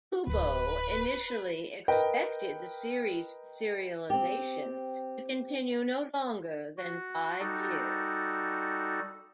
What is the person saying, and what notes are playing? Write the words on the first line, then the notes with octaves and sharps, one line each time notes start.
Kubo initially expected the series' serialization to continue no longer than five years.
D1 B4
A#4 B4 D#5 G5
C4 G4
F#4
G3 D#4 F#4 A4